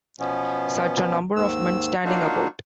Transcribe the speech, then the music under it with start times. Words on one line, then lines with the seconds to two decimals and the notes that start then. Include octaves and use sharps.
Such a number of men standing about!
0.20 B2 F3 B3 C#4
1.36 D#2 G#2 D#3 E6
2.05 F#3 A#3 D4 D#4 F4 F#4